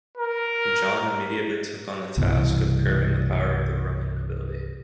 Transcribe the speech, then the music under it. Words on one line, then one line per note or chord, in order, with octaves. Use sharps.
John immediately took on the task of curbing the power of the Roman nobility.
A#4
C2 G2 B2 E3